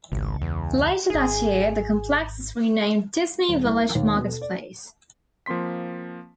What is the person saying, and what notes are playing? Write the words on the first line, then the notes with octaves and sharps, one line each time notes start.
Later that year, the complex was renamed "Disney Village Marketplace".
G#1 C#2
E2
D#1 G#1 G#4
D#1
C2
A#4
D#2
B2
A4
D5
F3 A#3 C4 C6 B6